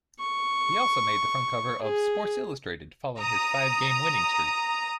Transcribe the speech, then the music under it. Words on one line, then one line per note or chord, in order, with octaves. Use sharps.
He also made the front cover of "Sports Illustrated" following his five-game winning streak.
C#6
G#4
A#5 D#6